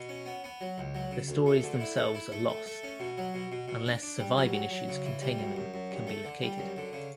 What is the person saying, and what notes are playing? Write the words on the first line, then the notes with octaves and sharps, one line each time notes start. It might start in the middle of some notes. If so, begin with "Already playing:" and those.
The stories themselves are lost, unless surviving issues containing them can be located.
Already playing: B2
C#4
B3
B3
F#3
C#2
F#3
C#3
D2
A3
D3
E4
A3
E4
A3
A3
A3
C#4
B2
F#3
B2
B2
B2
D4
D4
G3
F#3
F#3
F#3
C#3
E3
G3
F#2
F#2
F#2
G2
A3
D3
G3
F#2
D3
C#3